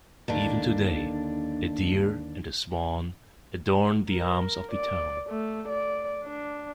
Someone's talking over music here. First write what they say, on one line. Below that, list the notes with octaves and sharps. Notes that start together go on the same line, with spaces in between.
Even today, a deer and swan adorn the arms of the town.
D#2 D3 D4
A#4
D5
A3
D5
D4